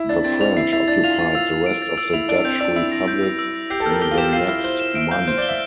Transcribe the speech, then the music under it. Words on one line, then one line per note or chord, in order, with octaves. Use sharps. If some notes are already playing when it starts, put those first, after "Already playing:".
The French occupied the rest of the Dutch Republic in the next month.
Already playing: E4
D4 A6
C4 A6
D4 F7
E4 C7
E4 A6
D4 A6
F4 F7
F4 A6
F4 E6
F7
D7
A6
E6
E4 F7
D4 D7
C4 G6
D4 E6
E4 E6
A#6
G6
E6
E6
A#6
G4 C7
A4
A#4 F6
G4 G7
F4
G4 E7
F4 C7
E4 F6
C5 G7
E7
E5 D7
F5 G6
C5 G6
D5
G7
E5